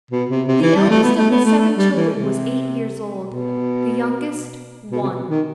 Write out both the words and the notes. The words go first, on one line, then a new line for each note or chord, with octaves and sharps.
The eldest of the seven children was eight years old. The youngest, one.
B2
C3
C3
E3
G3
A3
B3
A3
B3
A3
A3
G3
E3
C3
B2
B2
C3
B2
D#3